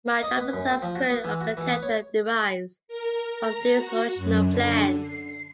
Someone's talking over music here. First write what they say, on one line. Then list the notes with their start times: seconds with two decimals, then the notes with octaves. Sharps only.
Much of the site's current architecture derives from these original plans.
0.23 D#5
0.36 B3
0.53 F#2
0.69 C4
0.82 F3
0.95 F#4
1.09 B3
1.24 E3
1.41 F#4
1.57 E3
1.71 B3
1.83 C#5
2.88 A#4
3.35 A#5
3.75 F#4
4.15 F#2
4.45 D3
5.00 C7